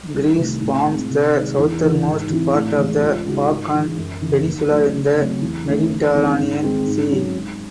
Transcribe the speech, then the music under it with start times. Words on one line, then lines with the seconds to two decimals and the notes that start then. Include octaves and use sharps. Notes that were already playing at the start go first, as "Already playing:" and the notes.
Greece forms the southernmost part of the Balkan peninsula in the Mediterranean Sea.
0.14 C2
0.38 C3 D#3 A3
0.61 A2
0.86 G#3 C4
1.10 C3
1.34 D#3 G#3
1.58 E2
1.82 C#3 E3
2.06 G#2
2.29 E3 C4 E4
2.54 A2
2.77 E3 G#3
3.01 C#2
3.26 C#3 G#3 D#4 F#4
3.49 G#2
3.74 E3 G#3
3.98 F#2
4.22 C#3 E3
4.45 D#2
4.69 D#3 F#3 A3
4.94 C#3
5.18 F#3 A3 C4
5.42 E2
5.66 D#3 A3 C#4
5.90 E2
6.14 D#3 G#3 C4
6.38 G#2
6.62 D#3 G#3 C4
6.86 G#2
7.09 F#3 C#4
7.34 G#2